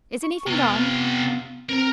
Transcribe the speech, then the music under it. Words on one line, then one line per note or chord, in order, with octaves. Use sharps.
"Is anything gone?"
C#6
C3 B3 F4
C4 A#4 A#5